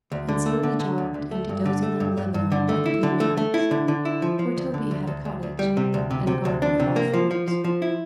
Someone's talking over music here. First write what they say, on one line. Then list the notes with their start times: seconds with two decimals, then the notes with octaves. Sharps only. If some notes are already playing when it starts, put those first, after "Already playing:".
And so we jogged 'into dozy little Lebanon by the Blue Mountains, where Toby had a cottage and a garden of all fruits.
0.12 D2
0.29 D3
0.46 A3
0.63 D3
0.80 D3
0.98 D2
1.14 D2
1.31 A3
1.49 G2
1.65 D3
1.83 A3
2.00 G2
2.18 G2
2.34 G2
2.52 D3
2.69 A3
2.86 E4
3.03 D3
3.20 A3
3.37 A3
3.54 E4
3.71 D3
3.88 D3
4.05 E4
4.22 F3
4.39 F3
4.57 D2
4.74 D3
4.91 D2
5.07 D2
5.25 D2
5.43 D2
5.59 G3
5.77 C3
5.94 D2
6.11 C3
6.27 C3
6.45 D2
6.62 D4
6.80 C3
6.96 A#3
7.13 F3
7.31 F3
7.48 F3
7.64 F3
7.82 E4